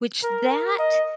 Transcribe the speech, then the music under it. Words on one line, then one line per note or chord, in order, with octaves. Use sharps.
which that
A#4
A#4
D#5